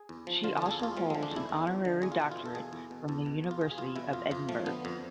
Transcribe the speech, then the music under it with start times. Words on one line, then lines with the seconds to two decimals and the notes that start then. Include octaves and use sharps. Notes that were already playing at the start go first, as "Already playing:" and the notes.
She also holds an honorary doctorate from the University of Edinburgh.
Already playing: G#4
0.09 E2
0.27 F3
0.43 D3 F4
0.57 A4
0.62 E2 G#4
0.71 A4
0.80 E2 F4
0.97 F3 A3
1.10 D3 G#3
1.23 D4
1.31 E2 E4
1.49 E2
1.67 F3
1.85 D3
2.02 E2 G#4
2.12 F4
2.20 B2 E4
2.31 F4
2.37 E2
2.46 A4
2.55 B2 G#4
2.73 E2
2.91 B2
3.08 E2 A4
3.26 B2
3.44 E2
3.51 F4
3.61 B2 G#4
3.71 G#4
3.78 E2 F4
3.96 B2 E4
4.13 F2 F4
4.31 F2 F4
4.49 F3 A3
4.66 D3 B3
4.85 F2